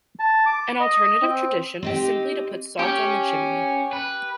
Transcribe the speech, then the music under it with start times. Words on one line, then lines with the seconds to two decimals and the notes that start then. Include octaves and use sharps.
An alternative tradition was simply to put salt on the chimney.
0.19 A5
0.46 D6
0.80 D#5
1.21 C4
1.83 C4 D#4 G4
2.79 C#4 G4
3.93 B4